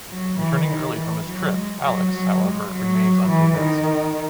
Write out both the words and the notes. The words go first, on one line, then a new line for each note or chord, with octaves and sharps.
Returning early from his trip, Alex, however, remains unconvinced.
F#3
E3
D#3
E3
F#3
G#3
F#3
F#3
G#3
F#3
E3
D#3